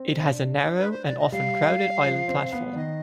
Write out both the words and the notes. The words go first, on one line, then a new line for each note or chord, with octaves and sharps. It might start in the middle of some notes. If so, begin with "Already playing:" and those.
It has a narrow and often crowded island platform.
Already playing: C4
D4
B4
C5
D5
D#5
G3 F5
F3
C4
B3
D5
D#3 D#5